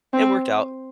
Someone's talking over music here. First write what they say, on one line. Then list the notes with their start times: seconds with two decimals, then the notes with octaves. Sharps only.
it worked out.
0.13 C4